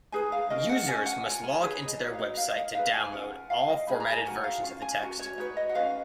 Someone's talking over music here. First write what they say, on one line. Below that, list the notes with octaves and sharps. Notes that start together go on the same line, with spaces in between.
Users must log into their website to download all formatted versions of the text.
D#4 G#4 B4 G#5
F5
C#4 F4 A#4 D#5
F#5
F#4 A#4 G#5
C#4
F#5
F4 A#4 G#5
G#5
D#4 G#4 B4 C#5
D#5
D#4 F#4 B4 C#5
F5
D#5
D#4 A#4 F5
D#5
F5
D#4 G#4 B4 F5
G#5
C#4 F4 A#4 F#5
F4 A#4 F5
D#5
D#4 G#4 B4 B5
A#5
G#5
D#4 F#4 A#4 F#5
F5
C#4 F4
G#5
C#4 F#4 A#4
C#5
D#4 F#4 B4 C#5
D#5
F#5
C#4 F4 B4 F5